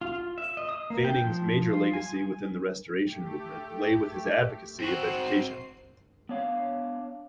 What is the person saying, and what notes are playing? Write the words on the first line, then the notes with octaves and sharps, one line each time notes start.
Fanning's major legacy within the Restoration Movement lay with his advocacy of education.
F4
E5
D#5
D#6
A#3
G5
F3
F4
G#5
A3 G4
C4 F#4 C7
B3 D4 C#5 F5